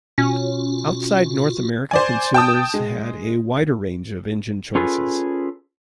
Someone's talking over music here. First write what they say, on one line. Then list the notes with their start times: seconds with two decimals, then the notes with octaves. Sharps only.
Outside North America, consumers had a wider range of engine choices.
0.18 B2 C#4 F4 F#4
1.91 C5 D5 G#5
2.34 G5 A5 D#6
2.74 G#3
4.75 C#4 F4 G#4 A4 B4